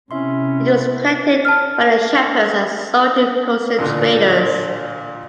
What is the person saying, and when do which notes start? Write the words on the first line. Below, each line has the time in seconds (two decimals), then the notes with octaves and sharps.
It was collected by the shepherds and sold to coastal traders.
0.11 C3 C#4 E4 E5 C6
1.45 A5 F6
3.79 A1 A#2 D3 D5